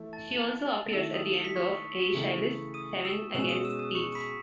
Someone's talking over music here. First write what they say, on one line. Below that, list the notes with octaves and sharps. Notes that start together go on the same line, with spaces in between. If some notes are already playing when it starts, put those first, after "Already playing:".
She also appears at the end of Aeschylus' "Seven Against Thebes".
Already playing: E3 A3 E4
A5 A6
A5 A6
D#3 A3 E4 E6 E7
D#6 D#7
C#7
B6
C#6 C#7
C#3 E3 A3
D#6 D#7
E6 E7
B2 G#3 C#4 G#4 B4 E6 E7
D#6 D#7
E6 E7
D#6 D#7
C#6 C#7
B5 B6